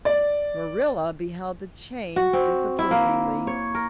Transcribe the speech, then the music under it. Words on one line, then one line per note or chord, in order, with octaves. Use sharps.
Marilla beheld the change disapprovingly.
D5
F#4
C4
E4
A#3
C#5
A#4